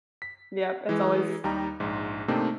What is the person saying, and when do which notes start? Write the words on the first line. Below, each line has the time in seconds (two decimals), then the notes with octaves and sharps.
Yep, it's always
0.22 B6
0.89 E3 G#3 G#4
1.44 D#2 G3 D#4 A#5
1.80 A#1 G#2
2.28 C3 A3 A#3 C4 D4 D#4